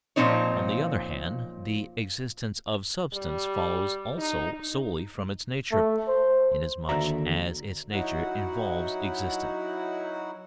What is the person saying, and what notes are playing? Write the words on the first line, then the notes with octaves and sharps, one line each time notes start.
On the other hand, the existence of substance follows also solely from its nature, inasmuch as its nature involves existence.
A#2 E3 F3 C4 D#4 C#5
G3
D#4
A3
C5
D#2 D3 F#4 D5 E5 A#5
F#3 D#4 E4 F#4 F#5